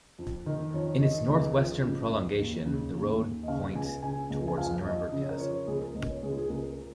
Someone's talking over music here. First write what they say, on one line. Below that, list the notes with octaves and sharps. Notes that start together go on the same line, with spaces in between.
In its northwestern prolongation the road points towards Nuremberg Castle.
F2
D#3
F2 C#5
D#3 D#5
C#2 D#5
F3
C#3
C#2
D#2
C#3
D#2
D#2
D#5
C#3 F5
C#2 G#5
C#3 G#5
C#2
G#5
F2 F5
F2 D#5
C#3 D#5
C#5
A#4
F3 C#5
C#2 G#4
A#4
C#2 D#5
C#5
C#2 G#4
F4
G#4
C#2 A#4
A#4